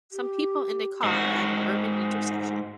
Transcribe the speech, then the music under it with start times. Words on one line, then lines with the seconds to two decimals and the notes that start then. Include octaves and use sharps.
Some people and a car are at an urban intersection.
0.11 G4
1.04 G#2 F#4